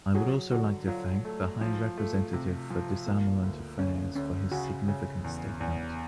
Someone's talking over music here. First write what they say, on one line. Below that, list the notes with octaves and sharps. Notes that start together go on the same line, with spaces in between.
I would also like to thank the High Representative for Disarmament Affairs for his significant statement.
F#3 F#4 G#4
D3 F#4
F#3 F4
A3
F3
A3
C3
F3
A#3
D2
D2 C#4
D2 C#4
C#3 F#4
C#3
E2
E2